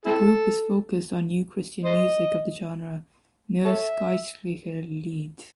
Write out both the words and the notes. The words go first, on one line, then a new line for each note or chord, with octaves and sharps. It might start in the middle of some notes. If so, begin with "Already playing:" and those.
The group is focused on new Christian music of the genre Neues Geistliches Lied.
C4 E4 A4
C5 D#5
A4 C#5 E5